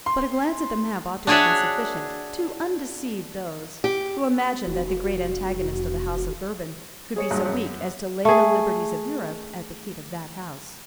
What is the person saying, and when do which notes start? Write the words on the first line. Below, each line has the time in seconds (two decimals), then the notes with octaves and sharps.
But a glance at the map ought to have been sufficient to undeceive those who imagined that the great antagonist of the House of Bourbon could be so weak as to lay the liberties of Europe at the feet of that house.
0.06 C6
1.27 D4 F#4 G#4 C#5 D5 E5
3.84 G4
4.67 F1 F#4
7.16 G#4 C#5 C#7
7.30 A#1 G2 F#3
7.46 F#2
8.25 A3 G#4